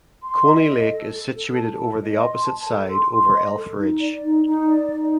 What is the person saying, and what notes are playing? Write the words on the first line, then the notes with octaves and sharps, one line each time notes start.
Coney Lake is situated over the opposite side over Elf Ridge.
C6
D#5
D#5
A4
A4
A4
A5
A4
D#5
C6
A5
A4
C6
C6
D#5
A4
D#4
D5
D#4
D#4
D5
D#4